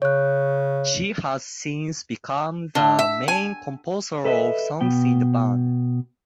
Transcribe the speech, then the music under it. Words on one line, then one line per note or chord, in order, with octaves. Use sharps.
She has since become the main composer of songs in the band.
C#3 C#5 F#6
D3
E5
G#5
A4 B4 D#5 E5
B2 B3 G5